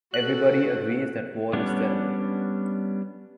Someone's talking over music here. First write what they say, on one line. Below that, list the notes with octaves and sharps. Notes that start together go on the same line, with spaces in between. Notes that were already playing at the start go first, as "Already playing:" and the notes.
Everybody agrees that war is terrible.
F#4 A4 F#6
G3 B3 C#4 D4